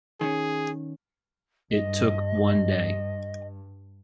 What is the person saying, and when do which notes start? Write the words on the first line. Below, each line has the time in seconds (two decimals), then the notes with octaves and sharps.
It took one day.
0.21 D#3 C#4 G#4
1.71 G2 D#5